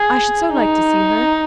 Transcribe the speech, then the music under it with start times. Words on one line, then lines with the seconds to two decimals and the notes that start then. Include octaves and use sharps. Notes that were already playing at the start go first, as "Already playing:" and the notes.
I should so like to see her.
Already playing: G#4
0.53 D#4